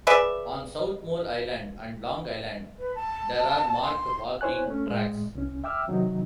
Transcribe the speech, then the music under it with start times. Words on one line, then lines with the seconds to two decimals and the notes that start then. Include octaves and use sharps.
On South Molle Island and Long Island there are marked walking tracks.
0.07 G#4 B4 D5 E5
2.79 B4
2.95 A5
3.83 C6
4.41 E4 C5 C#5 G#5 F#6
4.68 A3 C#4
4.87 A2 G#3
5.35 C2 C#4
5.64 E5 G5 D6 E6 F6
5.88 C3 D#3 F#3 D#4